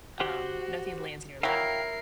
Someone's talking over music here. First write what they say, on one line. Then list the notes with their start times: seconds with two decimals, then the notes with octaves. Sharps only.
Um, nothing lands in your lap.
0.20 F#4 G4 C5 F#5
1.43 F#3 E4 A#4 F5 G5 C7